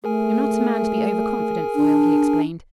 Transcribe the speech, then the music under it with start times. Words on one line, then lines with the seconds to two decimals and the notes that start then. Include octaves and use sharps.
"You're not a man to be over-confident, Foyle," he explained.
0.04 A3 G#4 A#4 G#5
1.75 D4